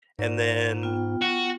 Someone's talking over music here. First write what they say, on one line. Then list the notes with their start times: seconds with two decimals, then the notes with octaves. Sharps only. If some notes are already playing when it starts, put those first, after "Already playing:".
and then
0.19 G#2 A#4 D5
0.82 B3 F4 G5
1.22 F#4